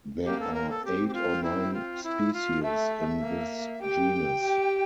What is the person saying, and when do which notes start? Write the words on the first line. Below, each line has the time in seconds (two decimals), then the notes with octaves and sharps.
There are eight or nine species in this genus.
0.24 A#3 G4
0.40 A4
0.54 A#4
0.70 A4
0.84 C4 G4
1.08 G4
1.14 F4
1.43 E4
1.74 F4
2.03 E4
2.33 F4
2.63 A3 E5
3.23 A#3
3.81 G4 G5
4.42 G4